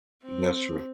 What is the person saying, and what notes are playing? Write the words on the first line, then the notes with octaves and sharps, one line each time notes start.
That's true.
C4